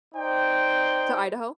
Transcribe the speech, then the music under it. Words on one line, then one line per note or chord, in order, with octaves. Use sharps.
To Idaho?
D#4 C5 D5 G5